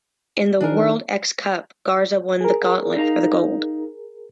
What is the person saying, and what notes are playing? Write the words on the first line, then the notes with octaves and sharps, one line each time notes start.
In the World X Cup, Garza won the Gauntlet for the Gold.
D#3 D4 G#4 A#4
G#4 A#4
D#4 F5 A#5